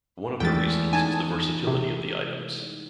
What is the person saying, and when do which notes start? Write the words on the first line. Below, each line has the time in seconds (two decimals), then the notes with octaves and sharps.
One of the reasons is the versatility of the items.
0.40 E2 G#3 A3 G5 A6
0.93 D#4 G#5 A5 G#6
1.67 C3